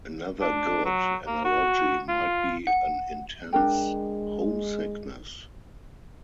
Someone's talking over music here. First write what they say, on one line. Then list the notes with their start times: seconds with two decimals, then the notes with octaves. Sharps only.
Another good analogy might be an intense homesickness.
0.41 D4
0.85 F#3
1.27 A#3
1.45 F#4
2.08 F4
2.67 F#5
3.53 G#3 D4 A#4 G5